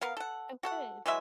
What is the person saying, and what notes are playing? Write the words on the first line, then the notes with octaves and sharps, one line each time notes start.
Oh, good.
B3 A#4 F5
A4 F#5
F#4 A4 F#5
E3 F#3 G#3 E5